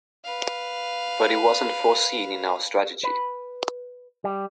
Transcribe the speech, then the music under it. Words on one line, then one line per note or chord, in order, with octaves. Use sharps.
But it wasn’t foreseen in our strategy.
B4 F5
B4
G3